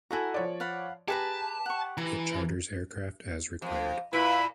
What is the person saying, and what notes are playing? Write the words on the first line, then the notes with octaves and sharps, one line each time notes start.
It charters aircraft as required.
E4 F#4 A4 F#5 G#5 A#5
F3 C#5 D5
F5 F#5 B5
G4 G#4 B4 A5 A#5 B6 E7
F#5 C#6
E3 A#5
F2
A#2 E4 B4 B5